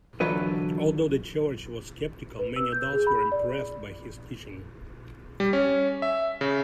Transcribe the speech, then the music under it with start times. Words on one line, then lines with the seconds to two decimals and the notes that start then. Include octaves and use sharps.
Although the Church was skeptical, many adults were impressed by his teaching.
0.20 D3 E3 F#3 F4 B4 D#5
2.39 B4
2.56 E6
2.73 G6
2.93 G#4
3.07 B5
3.32 D5
5.40 G3
5.53 C#4
6.02 E5
6.41 C#3